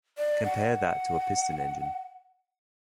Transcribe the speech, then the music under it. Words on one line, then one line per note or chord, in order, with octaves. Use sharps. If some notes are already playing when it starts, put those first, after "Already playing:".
Compare that to a piston engine.
D5
F#5